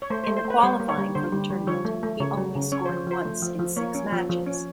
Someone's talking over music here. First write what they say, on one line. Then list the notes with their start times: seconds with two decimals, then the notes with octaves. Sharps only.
In the qualifying for the tournament, he only scored once in six matches.
0.02 C#5
0.10 A3 C5
0.24 A3 C5
0.37 C5
0.45 A3
0.50 B4
0.58 C#5
0.63 G3 C5
0.80 A#3
0.89 C#5
0.97 G3
1.15 D3 C5
1.32 G3
1.50 G3
1.67 F3 C#5
1.85 A3
2.03 A3
2.20 C#3 C#5
2.37 F#3
2.55 C#3
2.72 C#4 C#5
2.86 F3 C5
3.07 F3 C5
3.25 A3
3.42 F3
3.59 F3
3.77 A#3 C#5
3.95 C#4
4.12 F3
4.30 F3
4.46 C#4